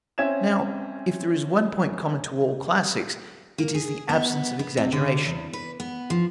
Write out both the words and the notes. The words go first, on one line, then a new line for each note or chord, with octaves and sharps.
Now, if there is one point common to all classics, it is the absence of exaggeration.
C4 C#4 E5 G#6 E7
A#3
G#4
B3
B3
C3
D3
E2
B4
B3
F3